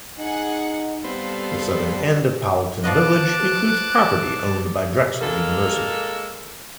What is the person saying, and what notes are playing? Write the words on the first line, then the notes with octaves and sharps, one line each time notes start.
The southern end of Powelton Village includes property owned by Drexel University.
D#4 G#4 F#5
G3 B3 C4 A4 F5
F3 B3 D#5 A5 D6 F#6
G#3 A#3 A4 F6